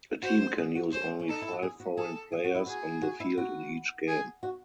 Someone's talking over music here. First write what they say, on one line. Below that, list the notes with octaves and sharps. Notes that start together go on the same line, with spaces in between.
A team can use only five foreign players on the field in each game.
F#4 C5
G#4
F#4
C#4 C5
C#4
D#4 A4
E4
F#4
G#4
F#4
G#4 A4
G#4
F#4
E4
F#4 G#4
F#4
E4
F#4
G#4
F#4